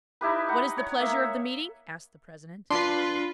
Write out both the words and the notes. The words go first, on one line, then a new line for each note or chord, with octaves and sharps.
"What is the pleasure of the meeting?" asked the president.
D#4 E4 G4 B4
D#4 F#5 G5
C#5
A#3 E5
D4 F4 B4 C6